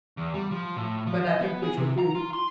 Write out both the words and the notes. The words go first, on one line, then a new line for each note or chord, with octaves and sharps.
But I think we shall do.
E2
G3
F3
A2
F3
D#5
B3
G#4
C3
A#5
F4
C6